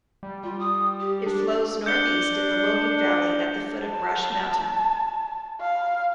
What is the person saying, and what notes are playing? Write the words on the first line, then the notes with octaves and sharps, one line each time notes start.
It flows northeast in the Logan Valley at the foot of Brush Mountain.
G3
G3 F4
D#6
G4
D4
D4 G6 C#7 G7
A5
F5